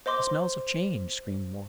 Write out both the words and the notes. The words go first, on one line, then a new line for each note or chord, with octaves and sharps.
"The smells have changed," screamed Mor.
C5 D#5 C6 D6